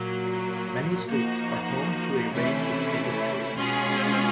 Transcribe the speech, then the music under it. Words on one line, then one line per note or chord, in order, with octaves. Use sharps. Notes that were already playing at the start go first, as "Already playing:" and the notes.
Many streets are home to a range of native trees.
Already playing: A#2 F#3 A#3
F3 A#3 D#4 F#4
C3 E3 A3 C#4 E4
B2 G#3 C#4 F4 G#4